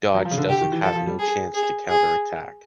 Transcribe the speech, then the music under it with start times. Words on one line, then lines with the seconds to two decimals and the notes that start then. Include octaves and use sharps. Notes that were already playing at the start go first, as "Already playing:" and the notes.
Dodge doesn't have no chance to counterattack.
0.15 F#3
0.25 F3
0.31 C#3
0.38 D3
0.49 D3 G4
0.61 D#3
0.72 E3
0.83 F3 A4
0.95 F3
1.07 G3
1.19 G#4
1.54 G#4
1.89 G#4